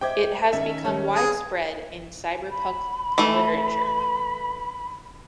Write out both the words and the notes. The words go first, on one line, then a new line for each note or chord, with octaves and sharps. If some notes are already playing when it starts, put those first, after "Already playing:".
It has become widespread in cyberpunk literature.
C5 D#5 E5 G5 D6 G#6
D#3 C#4 E5
D#3 G3 C#4 C#5
G#4
B5
E3 A3